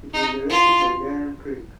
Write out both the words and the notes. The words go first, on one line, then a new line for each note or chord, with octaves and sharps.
It was directed by Darren Craig.
D#4
F4